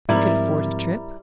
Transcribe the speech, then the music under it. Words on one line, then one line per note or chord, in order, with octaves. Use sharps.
He could afford a trip.
G#2 F3 G3 C4 E4 A#4